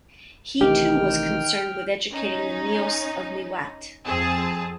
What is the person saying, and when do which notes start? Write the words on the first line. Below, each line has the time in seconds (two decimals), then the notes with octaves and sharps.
He too was concerned with educating the Meos of Mewat.
0.61 A1 A2 C3 D#3 G4 G5 F6
2.11 C#4 D#4
4.07 F2 C4 G#4 A5